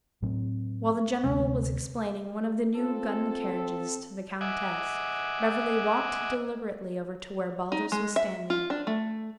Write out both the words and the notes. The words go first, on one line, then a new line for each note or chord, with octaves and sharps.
While the general was explaining one of the new gun-carriages to the countess, Beverly walked deliberately over to where Baldos was standing.
A2 F#3 C4
D2 C3 G#3 C4
C4 F4 A4
D#5 E5 F#5 G#5 D6
D#4
G#3
E5
F4
D4
A3